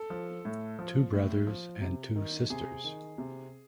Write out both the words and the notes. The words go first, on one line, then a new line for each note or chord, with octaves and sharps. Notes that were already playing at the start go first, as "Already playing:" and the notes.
Two brothers and two sisters.
Already playing: A4
F3
A2
F3
A2
F3
C3
D#3
C3 G#4
D#3
C3